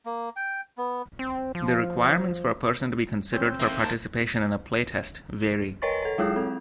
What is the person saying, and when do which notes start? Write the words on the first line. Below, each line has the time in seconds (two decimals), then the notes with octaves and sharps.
The requirements for a person to be considered for participation in a playtest vary.
0.05 A#3
0.36 G5
0.77 B3
1.19 C4
1.55 F3
3.32 C4 C#4 C5
3.60 D#3 A3 A#3
3.82 A#4 A5
5.82 A#4 B4 C#5 D#5 C#6 A6
6.02 A4 C#5
6.18 F#3 G#3 E4 G#4 D#6
6.36 C4 A4